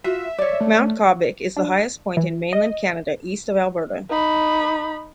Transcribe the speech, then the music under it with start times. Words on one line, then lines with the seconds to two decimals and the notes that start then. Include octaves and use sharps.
Mount Caubvick is the highest point in mainland Canada east of Alberta.
0.04 F4 F#4 E5
0.38 C#5 D5
0.60 A3
1.56 D4
2.17 E3
2.53 D#5
4.09 D#4 B5